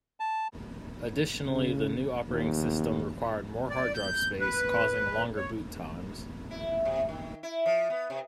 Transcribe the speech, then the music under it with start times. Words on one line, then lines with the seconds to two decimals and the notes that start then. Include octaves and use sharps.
Additionally the new operating system required more hard drive space, causing longer boot times.
0.20 A5
1.49 C#3
2.28 D#2
3.70 D5
3.95 G6
4.40 B4
5.36 C#5
6.51 E4
6.85 C3
7.09 D#3
7.43 E4
7.66 F3
7.90 B3
8.10 C3